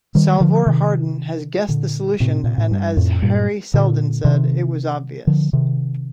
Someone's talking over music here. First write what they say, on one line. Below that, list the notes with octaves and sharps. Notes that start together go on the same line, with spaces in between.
Salvor Hardin had guessed the solution, and as Hari Seldon said, it was obvious.
D#3 G3
D3 F3
C3 D#3
A#2 D3
A2 C3
A#2
A2
G2
F2 A2
G2 A#2
A#2 D3
C3 D#3
D3 F3
C3 D#3